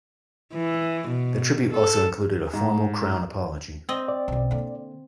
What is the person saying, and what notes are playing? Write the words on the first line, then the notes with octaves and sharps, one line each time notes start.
The Tribute also included a formal Crown Apology.
E3
B2
A4
G#2
C4 D#5
D5
B1 C#4
D3 A#3